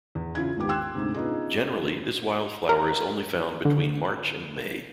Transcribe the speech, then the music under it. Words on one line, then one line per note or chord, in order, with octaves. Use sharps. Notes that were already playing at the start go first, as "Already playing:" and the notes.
Generally this wildflower is only found between March and May.
E2
C#3 C#4 E4 F4 G#6
G#1 D#2 B3 G4 D6
G5 C6 E6 F#6 G#6
D2 G#2 C3
B3 C#4 D#4 F4 G#4
A#4
D3